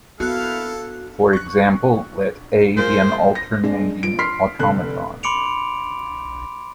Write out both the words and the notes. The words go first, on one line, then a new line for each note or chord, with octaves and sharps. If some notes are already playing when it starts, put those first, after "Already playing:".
For example, let "A" be an alternating automaton.
A#3 B3 E4 F#4 A4 F5 F#6
C#6 F#6
G#3 F4 A#4 C5
A#6
G#3 D4
F3 D7
C6 F6 B6 C7
F1 D3 A4 F#6
B5 C6 D6 C#7 D7 F7